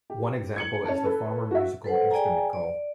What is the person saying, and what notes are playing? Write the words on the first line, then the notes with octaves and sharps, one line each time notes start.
One example is the Farmer Musical Instrument Co!
G4
G#6 C#7 F#7
C#4 A5
A4 B4
F#4 E5
A4 B4 C5 F#5
G#4 D5 G5 G#5 A#5
D5